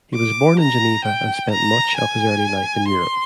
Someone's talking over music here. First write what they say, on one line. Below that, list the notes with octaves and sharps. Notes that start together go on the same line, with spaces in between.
He was born in Geneva and spent much of his early life in Europe.
D6
A#5
G5
A#5
G#5
C6